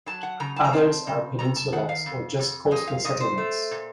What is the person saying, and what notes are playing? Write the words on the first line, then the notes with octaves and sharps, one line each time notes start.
Others are peninsulas or just coastal settlements.
F#3 A5
F#5
C#3 A#5
A5
A#5
C4 A5
C#3
F2 A#5
A5
D#3 F#5
F5
F2
F2
A#2 D#5
F5
A#2 D#5
C5
A3
A#2